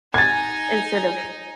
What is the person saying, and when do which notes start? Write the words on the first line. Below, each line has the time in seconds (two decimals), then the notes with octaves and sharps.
instead of
0.14 D#4 G#5 G#6 A6